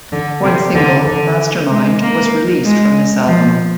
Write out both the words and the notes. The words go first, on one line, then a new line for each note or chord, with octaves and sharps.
One single, "Mastermind" was released from this album.
D3
C3
D3
D3
G#3
A#3
G#3
F3